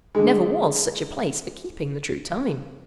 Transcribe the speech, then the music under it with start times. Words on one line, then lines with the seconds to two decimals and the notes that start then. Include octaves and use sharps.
Never was such a place for keeping the true time.
0.15 D3 G#3